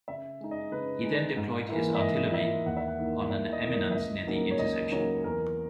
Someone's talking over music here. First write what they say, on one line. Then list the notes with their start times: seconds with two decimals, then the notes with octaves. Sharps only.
He then deployed his artillery on an eminence near the intersection.
0.08 C#3 E5
0.41 G#3 D#4
0.51 D#5
0.72 C#3 B4
1.04 G#3 D#4
1.37 G#2
1.69 E3 A#3 E4
1.95 E5
2.01 G#2 D#5
2.33 E3 A#3 E4 E5
2.66 D#2 F#5
2.77 E5
2.88 F#5
2.99 D#3 A#3 E4
3.30 D#2 E5
3.52 D#5
3.63 D#3 A#3 E4
3.73 D#5
3.91 E5
3.95 C#2 D#5
4.27 C#3 F#3 A#3 D#4
4.51 C#5
4.59 C#2 D#5
4.91 C#3 F#3 A#3 D#4 C#5
5.24 E2 A#4